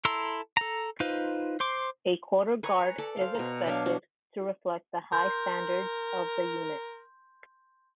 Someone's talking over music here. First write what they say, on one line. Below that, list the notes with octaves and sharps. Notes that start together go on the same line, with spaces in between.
A Quarter Guard is expected to reflect the high standards of the unit.
E4 A4 A#5 C6 E6
A4 A#5
D#4 F4 B4 C5
C5 C6 D6
B4 G#5 A#5 C#6
A4 D5
C5 F5
B2 A#5
F#3 D4 F5
D4 F#4
A#4 C6 G6